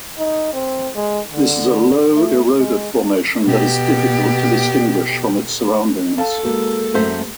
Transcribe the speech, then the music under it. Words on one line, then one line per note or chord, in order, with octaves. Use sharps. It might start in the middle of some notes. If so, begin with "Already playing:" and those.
This is a low, eroded formation that is difficult to distinguish from its surroundings.
D#4
C4
G#3
D3
A3
G#3
B2 G4
A4 F5 A5
G#3 A#3 F#4
F#2 A3 C5